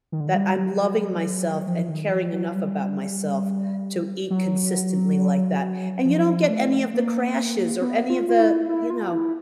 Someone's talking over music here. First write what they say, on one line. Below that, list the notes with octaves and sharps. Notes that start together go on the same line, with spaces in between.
that I'm loving myself and caring enough about myself to eat consistently like that and you don't get any of the crashes or any of the you know,
D#3
D3
D#3
G3
F#3
F3
D#3
F3
F#3
G3
F#3
F3
A3
A#3
B3
F4
F4
E4
E4
F4
E4